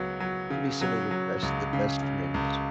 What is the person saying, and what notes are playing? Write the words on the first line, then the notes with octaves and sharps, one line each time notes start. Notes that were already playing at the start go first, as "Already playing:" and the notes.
To be some of your best the best friends.
Already playing: C#2 F#3 B3
F#3
C#3
F#3
F#3
C#2
C#3
C#3
C#2